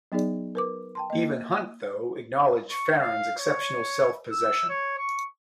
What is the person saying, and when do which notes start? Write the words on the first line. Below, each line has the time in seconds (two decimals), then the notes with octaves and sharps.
Even Hunt, though, acknowledged Farren's exceptional self-possession.
0.12 F#3 B3 D#4 G#4 D5
0.55 A#4 B4 D6
0.95 G5 A5 C6
1.10 A#3 D#5
2.71 C#6
3.02 F5
3.40 C#5
4.31 E6
4.70 C#5
4.98 C#6